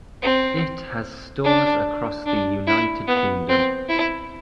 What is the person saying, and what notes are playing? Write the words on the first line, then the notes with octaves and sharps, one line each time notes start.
It has stores across the United Kingdom.
C4
D4
D4
E4
B3
C4
E4